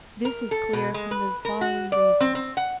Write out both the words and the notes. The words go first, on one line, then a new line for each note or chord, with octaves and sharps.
This is clear from the following reason.
A#4
A4
B2
G#3
B4
A#4
F#4
D5
C4
C4
F#5